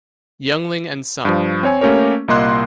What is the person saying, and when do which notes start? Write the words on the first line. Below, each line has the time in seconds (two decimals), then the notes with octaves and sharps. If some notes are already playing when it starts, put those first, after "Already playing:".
Yuengling and Son.
1.25 G2 F3
1.63 C4 C#5 G#5
1.81 A3 A#3 C#4 G4 A#4 C#5
2.28 C2 A#2 A#3 D#5 C6 F#6